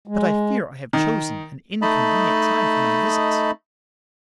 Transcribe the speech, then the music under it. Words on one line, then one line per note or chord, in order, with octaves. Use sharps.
But I fear I have chosen an inconvenient time for my visit.'
G#3
D#3
A3 D#4 D#5 A5 B5